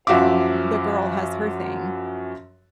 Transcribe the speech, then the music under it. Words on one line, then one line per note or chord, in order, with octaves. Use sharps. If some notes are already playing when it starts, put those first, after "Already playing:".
and th the girl has her thing-
F#2 F3 F#4 E5 F5 D6